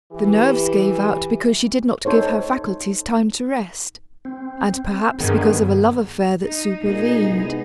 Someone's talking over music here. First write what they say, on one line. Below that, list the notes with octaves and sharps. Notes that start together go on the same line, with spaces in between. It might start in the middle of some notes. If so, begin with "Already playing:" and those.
The nerves gave out because she did not give her faculties time to rest, and perhaps because of a love affair that supervened.
E3 G4
D#4 A4 C5 C#5
C4
G2 D#3 B3 G#4
D#4
A#2 D#4 G#4 D#5
C2 G#3 B3